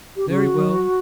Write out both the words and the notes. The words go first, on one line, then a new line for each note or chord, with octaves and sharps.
"Very well."
G4
C#3 F#4
F#3